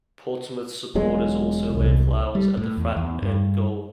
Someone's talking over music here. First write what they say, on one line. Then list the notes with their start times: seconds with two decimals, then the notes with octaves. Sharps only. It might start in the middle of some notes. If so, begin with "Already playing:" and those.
Portsmouth supporters also laid flowers at the Fratton End goal.
0.95 E1 F#3 G#3
1.71 C2
2.35 G3
2.57 A2
2.77 E2
2.97 E2
3.22 G2